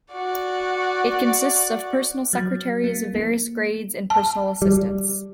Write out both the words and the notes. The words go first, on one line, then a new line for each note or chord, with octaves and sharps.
It consists of personal secretaries of various grades and personal assistants.
F#4 D5
F#3
A#3
A5
G3